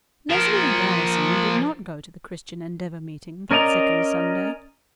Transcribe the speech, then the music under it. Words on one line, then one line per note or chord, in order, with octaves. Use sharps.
Leslie and Allison did not go to the Christian Endeavor meeting that second Sunday.
F3 A#4
C#4 A#4 D5 D#5 A#5